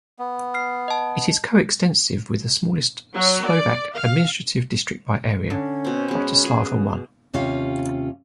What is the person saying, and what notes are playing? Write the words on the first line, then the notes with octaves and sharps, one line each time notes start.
It is coextensive with the smallest Slovak administrative district by area, Bratislava One.
B3
F6 C7
D#5 A5
F#3
D5
F5
D3 C#4
B2 C4
G#3 B3
F#4 G#4
D#2 C3 C#4 F4 F5